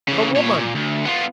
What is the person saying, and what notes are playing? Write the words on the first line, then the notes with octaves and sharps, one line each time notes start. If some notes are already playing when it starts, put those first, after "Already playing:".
The woman!
C#3 E3
A#2 C#5
A#2
D2
B3 F4